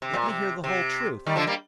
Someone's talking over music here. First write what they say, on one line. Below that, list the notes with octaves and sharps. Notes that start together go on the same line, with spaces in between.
"Let me hear the whole truth."
C3
A#2
C3
C3
D#3 G3
D3 F3
G3 A#3